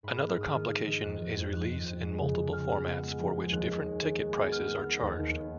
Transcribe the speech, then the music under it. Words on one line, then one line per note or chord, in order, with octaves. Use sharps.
Another complication is release in multiple formats for which different ticket prices are charged.
G#2 B5
A#3 F6
F6
G#2 D#6
D#3
D#3
D#3
F2 F#6
F2
F2
F3 F#6
F2
F2
G#3
C#3
C#3
C#3 F6
B3
B3
G#3
F3
G#3
D#2 F#6
D#2
G#3
D#3
G#3
B3
B3 F6
B3
D#3
D#2
D#2
B3